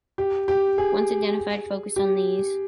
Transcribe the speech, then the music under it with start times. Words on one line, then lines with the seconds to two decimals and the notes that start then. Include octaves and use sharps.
Once identified focus on these.
0.18 G4
0.48 G4
0.78 G#4
1.96 G4